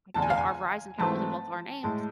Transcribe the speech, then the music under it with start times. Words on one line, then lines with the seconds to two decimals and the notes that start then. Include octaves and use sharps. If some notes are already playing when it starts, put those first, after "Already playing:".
like, th our Verizon account was in both of our names
0.14 F1 E2 D3 A5
0.22 G#5
0.30 F5
0.38 G#5
0.99 G#2 E3 A3 C4 A5
1.83 A2 G#3 A5